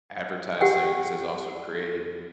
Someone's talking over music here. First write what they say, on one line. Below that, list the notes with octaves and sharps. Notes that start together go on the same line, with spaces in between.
advertisings has also created,
G4 F#5 G5